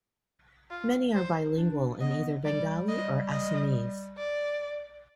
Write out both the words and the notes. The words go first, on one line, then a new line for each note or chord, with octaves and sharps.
Many are bilingual in either Bengali or Assamese.
F4
C5
D4
B3 D#5
G3 D5
D#5
D#5
D5